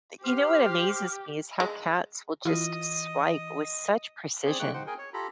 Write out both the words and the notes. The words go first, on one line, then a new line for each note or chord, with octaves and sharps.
Y you know what amazes me is how cats will just swipe with such precision.
G4 C5 C6 F6
G#3
E3 E4 F4 D#5
C4 G#4 C5 D5
G#3 A#3 G5 C#6 F#6
D#4 C5 F#5 G5
G#4 A#4 G5 G#5
C#5
F4 G4 A4 A#5 B5